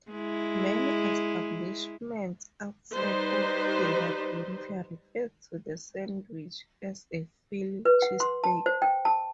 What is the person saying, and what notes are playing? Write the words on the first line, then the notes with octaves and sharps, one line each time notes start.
Many establishments outside of Philadelphia refer to the sandwich as a Philly cheesesteak.
G#3 E4
G3 D#4 B4 C5
B4
F#5
C6
A5
C5
G5
A5